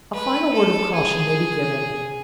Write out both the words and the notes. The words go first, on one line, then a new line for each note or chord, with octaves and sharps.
A final word of caution may be given.
B4
A4
G#4